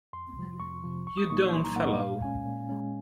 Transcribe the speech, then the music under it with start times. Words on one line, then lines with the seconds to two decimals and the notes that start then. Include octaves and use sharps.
You don't follow.
0.13 F2 C6
0.36 C3 F3
0.60 F2 C#6
0.83 C3 F3
1.06 C2 C#6
1.17 D#6
1.30 A#2 F#3 A#3 D#4 C#6
1.53 C2 C6
1.64 A#5
1.76 A#2 F#3 A#3 D#4 F#5
1.88 D#5
1.99 A#2 F5
2.22 G#3 C#4 G#5
2.46 A#2
2.69 G#3 C#4